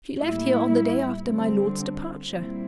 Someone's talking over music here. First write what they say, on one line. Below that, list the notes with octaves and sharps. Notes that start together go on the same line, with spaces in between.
"She left here on the day after my lord's departure."
A2 G3 A#3 E4
D3 G3 C4
A#2 G3 C4 E4